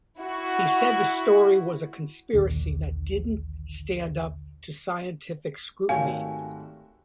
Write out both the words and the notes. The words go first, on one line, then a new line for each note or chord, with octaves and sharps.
He said the story was a conspiracy that "didn't stand up" to scientific scrutiny.
E4 F#4
A#1 D#2 D3
G#1 A3 F#4 G4 C#5 F5 G#5